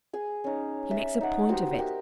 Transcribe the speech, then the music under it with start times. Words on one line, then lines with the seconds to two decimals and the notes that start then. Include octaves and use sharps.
He makes a point of it.
0.13 G#4 G#5
0.44 C#4 D#4
0.91 E5
1.21 D#4 F#5
1.49 B3 F#4 G4 C5
1.74 G4 A#4 E5